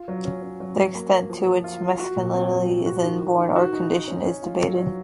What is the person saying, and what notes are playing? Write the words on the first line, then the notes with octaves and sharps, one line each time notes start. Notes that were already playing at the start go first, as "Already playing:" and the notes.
The extent to which masculinity is inborn or conditioned is debated.
Already playing: F4
F#3
C#4
C#4
F#3
F#3
A#3
A#3
F3
F3
F4
F4
F#4
A#2
C4
F#3
F#3
F#4
D#3
D#3
D#3
F#4
D#4
D#4
C#4
C#4
F4
F#3
F#3